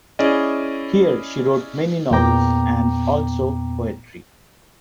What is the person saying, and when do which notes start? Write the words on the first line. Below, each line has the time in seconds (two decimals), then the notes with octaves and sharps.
Here she wrote many novels and also poetry.
0.19 C#4 E4 G#4 D5 D#5
2.11 E2 A#2 B3 G5 A#5 D6